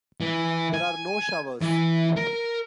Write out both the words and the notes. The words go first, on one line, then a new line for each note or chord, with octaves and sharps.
There are no showers.
E3
G#5
E3
A#4